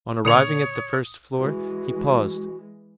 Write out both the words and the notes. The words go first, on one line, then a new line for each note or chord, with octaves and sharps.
On arriving at the first floor, he paused.
A#2 D3 C#5 D#6 C#7 F7
E3 G#3 F#4